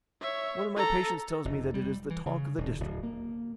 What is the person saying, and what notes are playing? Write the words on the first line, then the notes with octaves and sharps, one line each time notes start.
One of my patients tells me that it is the talk of the district.
C#5 E5
A4 A#5
F1
G3
E3
C#3
D#1
D1
A#3